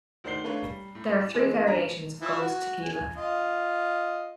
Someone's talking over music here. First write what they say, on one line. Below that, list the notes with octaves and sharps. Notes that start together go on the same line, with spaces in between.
There are three variations of gold tequila.
D2 D#3 C5 D5 C7 G7
A3 A#3 D4 B4 C#5
G3
A2
E3 G#3 C4 A4
G2 C#4 D4 A#5 B6
E3 F3 E4
F#4
G#5
F4 D#5